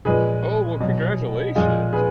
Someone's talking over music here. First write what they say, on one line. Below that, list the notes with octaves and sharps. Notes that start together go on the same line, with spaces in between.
Oh, well, congratulations!
A#2 F3 G#3 G#4 B4
B2 F#3
A#2 F3 G#3 F4 G#4
G#4 B4